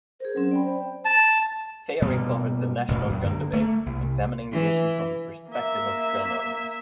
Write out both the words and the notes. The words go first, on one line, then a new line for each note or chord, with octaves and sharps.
Feyerick covered the national gun debate, examining the issue from the perspective of gun-owners.
G#4 A#4 C5
F#3 C4 C#4
D5 G5 B5
C5
A5
B2 G3 A#3
A1 D2 A#2
F#2
D3 A#3
A3 A#3
C2
E3
A#3 E5